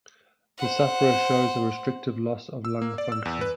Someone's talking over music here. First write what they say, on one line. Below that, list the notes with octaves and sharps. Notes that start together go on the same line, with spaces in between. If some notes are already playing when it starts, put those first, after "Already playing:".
The sufferer shows a restrictive loss of lung function.
C5 F#5
E6
A#3
D5
E6
E2
B4